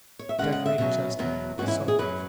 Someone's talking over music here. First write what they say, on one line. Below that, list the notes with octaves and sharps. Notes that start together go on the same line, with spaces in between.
Decorator's estimate, so much.
C#5
E5
C#3 G#3 C#4 F#5
F#5
E5
B2 F#3 C#4
E2 B2 F#3 B3
G#2 E3 C#4 F#4
E4
G#4
F#2 F#3 C#4 B4